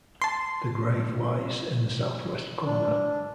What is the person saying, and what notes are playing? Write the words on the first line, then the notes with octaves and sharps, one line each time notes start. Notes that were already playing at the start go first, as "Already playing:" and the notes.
The grave lies in the south-west corner.
A5 C6
D4